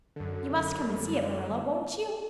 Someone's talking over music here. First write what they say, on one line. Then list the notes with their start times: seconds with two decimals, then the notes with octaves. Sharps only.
You must come and see it, Marilla--won't you?
0.16 F#2 D3